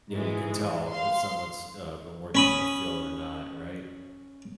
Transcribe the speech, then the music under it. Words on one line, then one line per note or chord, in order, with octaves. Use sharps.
Yeah, you can tell if someone's, uh, been working in the field or not, right?
G#2 E3 G#3
F5 C6
C#4 B5 D#6